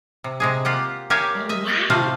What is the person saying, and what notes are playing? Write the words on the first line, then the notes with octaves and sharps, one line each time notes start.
Oh, wow.
C3
C3 G#3 G#4
A#3 F4 G4 F#5
G4 A#4 C#5 E5 F5 G#5
D#5 E5
C3 A3 F4 C5 F5